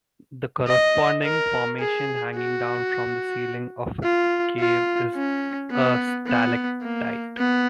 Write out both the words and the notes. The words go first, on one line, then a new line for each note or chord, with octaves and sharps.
The corresponding formation hanging down from the ceiling of a cave is a stalactite.
D#5
A#4
G#4
F#4
F4
F4
C#4
B3
B3
A#3
B3